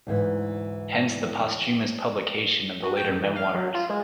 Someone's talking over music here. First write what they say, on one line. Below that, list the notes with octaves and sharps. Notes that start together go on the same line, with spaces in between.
Hence the posthumous publication of the later memoirs.
D2 G#2 E3
F#4
G5
F#2
E3
F5
F#3
F4
G#3